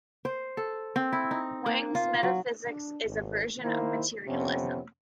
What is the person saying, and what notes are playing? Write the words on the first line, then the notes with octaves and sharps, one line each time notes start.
Wang's metaphysics is a version of materialism.
C5
A4
C4
E4
D#4
A#3
F4
F#3
D4
G#1
D#3 A#3 E4 C5
F2 C3 B3 C#4